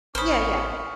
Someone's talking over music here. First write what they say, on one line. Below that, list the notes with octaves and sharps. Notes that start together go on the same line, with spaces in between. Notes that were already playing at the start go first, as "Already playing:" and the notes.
Yeah, yeah.
A1 C#4 C5 B5 C#6 D#6 F6